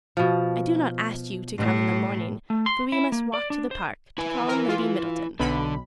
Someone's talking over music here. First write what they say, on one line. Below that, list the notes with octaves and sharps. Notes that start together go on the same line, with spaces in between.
"I do not ask you to come in the morning, for we must walk to the park, to call on Lady Middleton."
B2 F3
A2
A3
C6
E4
A#3
D5
D4
C5
E4 B4 G#5
A#4
F4
B1 D3 B5